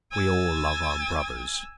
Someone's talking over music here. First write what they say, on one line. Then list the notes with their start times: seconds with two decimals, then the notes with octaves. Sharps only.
"We all love our brothers."
0.11 G#5 E6 G#6 A6